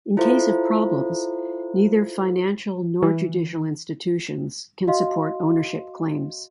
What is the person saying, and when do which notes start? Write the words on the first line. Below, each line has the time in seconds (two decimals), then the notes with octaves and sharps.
In case of problems, neither financial nor judicial institutions can support ownership claims.
0.17 E4 F4 A4 C5
3.03 E3
4.87 F#4 D#5 F5 C6